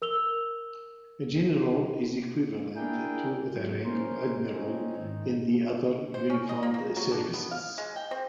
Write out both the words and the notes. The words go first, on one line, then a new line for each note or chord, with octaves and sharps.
General is equivalent to the rank of admiral in the other uniformed services.
A#4 E6 F7 G7
D4 E4 G#4 A#4 G5
G#2 F#3
C#4 A#4 C5
C4 C#4 D#4
G#2 D#3 D#4
C5
C#4
D#5
A#3
A#3
F#3
D4
B3
F5
G#3
G5
C4